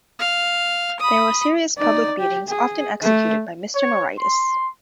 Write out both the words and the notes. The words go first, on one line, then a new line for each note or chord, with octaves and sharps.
There were serious public beatings often executed by Mr. Moraitis.
F5
B5 D#6
D#4 D5
G4
G#4
A3
C#5
C6